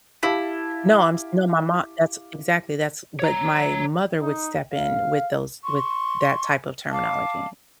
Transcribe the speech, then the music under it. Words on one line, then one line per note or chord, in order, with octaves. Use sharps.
No, I'm s no, my mo that's exactly. That's but my mother would step in with those with that type of terminology.
E4 G4 F5 A5
C#5 A#5
D#4
F5
C6 C#6
F5 A5 D6